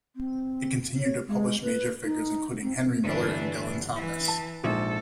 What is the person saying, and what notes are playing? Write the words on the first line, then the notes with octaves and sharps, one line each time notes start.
It continued to publish major figures, including Henry Miller and Dylan Thomas.
C4
C#5
G#3
B4
D#4
C4
G1 E3 D4
E3
A5
A#1 G#2 A4